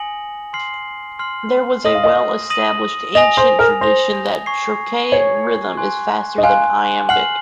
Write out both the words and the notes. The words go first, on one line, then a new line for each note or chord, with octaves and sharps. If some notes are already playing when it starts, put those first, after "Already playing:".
There was a well-established ancient tradition that trochaic rhythm is faster than iambic.
Already playing: G#5 D#6 A#6 C#7 F#7
C6 F6 C7 F#7
C6 F6 C7 F#7
D#5 D#6 A#6 D#7 F#7
F5
D#5
D#6 A#6 D#7 F#7
D#5 G#5 D#6 A#6 F7
C5
A#4
C5 G#5 D#6 A#6 F7
G#5 C#6 G#6 C7
C#5 G#5 C#6 G#6 C7
G#5 C6 F#6
D#5
F5 G#5 C6 F#6
F#5 F6 C7 F#7